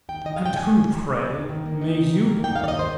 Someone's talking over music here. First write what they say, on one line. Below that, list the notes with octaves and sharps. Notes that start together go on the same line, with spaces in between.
"And who, pray, may you be?"
D#2 G5
D#3 D#5
F5
G3
G5
D#2 G#5
D#2
D#3
G3
D#2
D#2
D#3
A#3
D#4
D#2
D#3
A#3
D#4 G5
F5
D#2 D5
D#5
D#3 C5